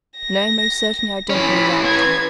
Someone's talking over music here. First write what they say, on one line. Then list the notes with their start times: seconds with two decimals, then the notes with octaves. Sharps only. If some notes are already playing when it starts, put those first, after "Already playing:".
"No, most certainly I don't know that."
0.19 A#6
1.30 E3 C#4 B5
1.86 B4 G#6